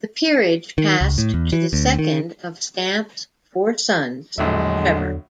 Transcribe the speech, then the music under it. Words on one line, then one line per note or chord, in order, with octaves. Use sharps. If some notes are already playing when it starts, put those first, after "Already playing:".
The peerage passed to the second of Stamp's four sons, Trevor.
D#3
C#2
A2
E2
E3
D2
D#3
A#1 E2 A2 D3 F#3 G#3 E5